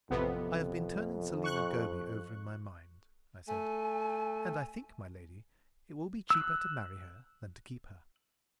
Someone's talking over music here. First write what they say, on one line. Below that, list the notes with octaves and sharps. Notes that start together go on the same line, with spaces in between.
"I have been turning Selina Goby over in my mind," I said, "and I think, my lady, it will be cheaper to marry her than to keep her."
A1 F2 C3 B3
C#6 F#6
A3 G#5
E6 F#6